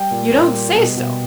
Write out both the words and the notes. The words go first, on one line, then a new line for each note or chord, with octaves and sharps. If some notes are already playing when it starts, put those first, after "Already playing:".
"You don't say so?"
Already playing: G3 G5
A#2
A#2
G3
B2
B2